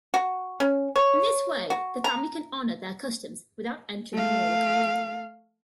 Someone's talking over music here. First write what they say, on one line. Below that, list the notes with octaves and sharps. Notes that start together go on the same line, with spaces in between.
In this way, the family can honor their customs without entering the morgue.
F#4
C#4
C#5
F#4
A#5
A3 F5